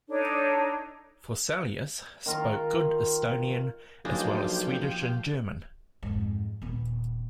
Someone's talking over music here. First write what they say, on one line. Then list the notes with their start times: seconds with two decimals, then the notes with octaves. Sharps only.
Forselius spoke good Estonian as well as Swedish and German.
0.09 D4 D#4 A4 C#5
2.26 D#3 F4 A#5
4.05 B1 F3 G#3 A#3 D4 G4
6.03 F2 G#2
6.62 D#1 B3